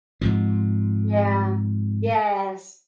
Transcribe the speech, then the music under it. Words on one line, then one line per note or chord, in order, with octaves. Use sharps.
Yeah. Yes.
G#2 C3 F3